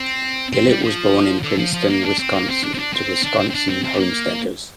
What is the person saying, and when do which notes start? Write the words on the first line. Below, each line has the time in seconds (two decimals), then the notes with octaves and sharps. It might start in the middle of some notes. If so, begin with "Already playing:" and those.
Gillett was born in Princeton, Wisconsin to Wisconsin homesteaders.
Already playing: C4
0.53 C4
0.68 G3
0.82 F3
1.43 D3
1.58 F3
1.73 F3
1.89 A#3
2.03 D4
2.19 C4
2.34 A#3
2.48 C4
2.64 D4
2.74 C4
2.79 D4
2.94 C4
3.24 D4
3.39 C4
3.50 C4
3.55 D4
3.69 C4
3.84 C4
3.93 G3
4.00 A#3